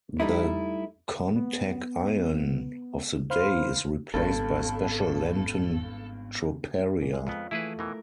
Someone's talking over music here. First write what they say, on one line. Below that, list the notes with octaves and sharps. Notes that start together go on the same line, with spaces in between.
The Kontakion of the Day is replaced by special Lenten troparia.
G3 A3 D#4 E4
B3
C5 F5 B5 C6 F6
G#1 C#2 G2 B3 A4
A#2
G#3
F2 B3 F4
E3 A3 E4 G#4 B4
B2 E3 E4 A#4